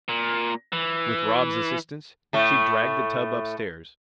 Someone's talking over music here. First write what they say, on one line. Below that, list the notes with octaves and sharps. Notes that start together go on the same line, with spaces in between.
With Rob's assistance she dragged the tub upstairs.
A#2
E3
A2 A3